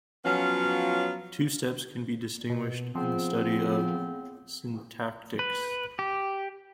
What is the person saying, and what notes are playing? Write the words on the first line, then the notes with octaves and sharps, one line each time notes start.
Two steps can be distinguished in the study of syntactics.
F3 F#3 B3 C#4 F4
B2
C#3 F3 B3 C4
B4
G4